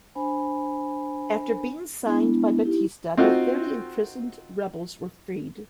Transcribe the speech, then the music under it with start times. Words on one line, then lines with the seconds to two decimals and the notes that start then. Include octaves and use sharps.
After being signed by Batista, the thirty imprisoned rebels were freed.
0.15 D4 C5 G#5 B5
2.05 G#3 B3 D4 E4
2.65 D#4 E4 G4
3.17 C4 D#4 F4 F#4 C5